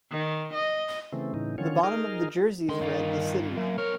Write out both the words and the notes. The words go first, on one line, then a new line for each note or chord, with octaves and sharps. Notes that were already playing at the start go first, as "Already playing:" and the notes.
The bottom of the jerseys read the city name.
D#3
D#5
C#3 E3 A3 C4
A2 C#3 E3 D#4
D3 D#3 C#4 F4 C#5
D#4 G#4 A#4 D#5 F6
D#3 G#3 C6
G2 F4
F#2 A#3
B1 A#4 C#5